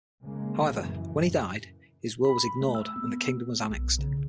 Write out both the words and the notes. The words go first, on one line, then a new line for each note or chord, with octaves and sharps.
However, when he died, his will was ignored, and the kingdom was annexed.
C#3 G#3 A#3
F#2 A2 C#3 E3
B5
A3
E6
B3
B1
C#3